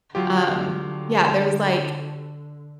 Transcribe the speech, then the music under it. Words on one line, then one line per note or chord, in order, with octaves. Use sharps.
Um, yeah, there was like,
D3 F#3 F4 G4